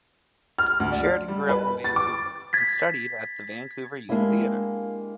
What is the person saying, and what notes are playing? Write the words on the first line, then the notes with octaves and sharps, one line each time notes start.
Sheridan grew up in Vancouver and studied at the Vancouver Youth Theatre.
F6
D2
D5
G3
B4
A6
D6
G#6 A6 B6
G#3 A#3 D4 E4 G4